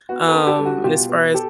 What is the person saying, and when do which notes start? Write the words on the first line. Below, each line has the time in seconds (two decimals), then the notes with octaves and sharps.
um, as far as
0.09 B3 F#4
0.28 A4 B4
0.34 D4
0.47 G4 A4
0.59 G3
0.65 F#4
0.84 B2 F4 G4
1.09 B3
1.34 G4 A4